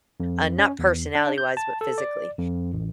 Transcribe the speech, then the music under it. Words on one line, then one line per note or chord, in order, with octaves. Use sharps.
Uh, not personality-wise, but physically.
F2
C#4
E2
D4
G6
A5
A4
D5
F2
A1